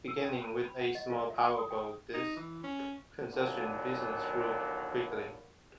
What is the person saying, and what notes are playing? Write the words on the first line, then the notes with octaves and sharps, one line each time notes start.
Beginning with a small powerboat, this concession business grew quickly.
E6
G5
B5
B5
F#5
D#5
F4
E5
D#6
G5
D#4
E3
C#4
D#2 A#2 D3 F#3 A#3 B3